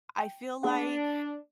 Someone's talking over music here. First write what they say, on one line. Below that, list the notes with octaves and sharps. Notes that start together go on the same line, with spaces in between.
I feel like
G5
A#3 D4 G#4 F#5